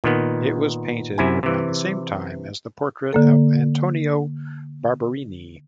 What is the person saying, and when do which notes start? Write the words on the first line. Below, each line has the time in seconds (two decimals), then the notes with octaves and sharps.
It was painted around the same time as the portrait of Antonio Barberini.
0.04 A#2 D#3 B3
1.18 F#2 C3 E4 G#5
1.43 C3 E3
3.13 D3 A#3 A4